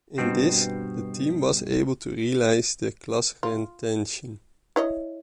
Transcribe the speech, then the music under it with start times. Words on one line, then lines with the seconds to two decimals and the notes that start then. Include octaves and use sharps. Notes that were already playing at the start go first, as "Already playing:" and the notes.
In this, the team was able to realize the class retention.
0.18 G2 B2 C4
3.43 F4
4.76 E4 C#5 D#5